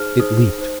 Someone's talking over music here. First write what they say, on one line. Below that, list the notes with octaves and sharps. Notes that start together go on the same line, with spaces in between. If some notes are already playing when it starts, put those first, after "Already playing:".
It leaped.
Already playing: D#4 G#4 C5 F6
D#4 G#4 C5 D#6
D#4 C5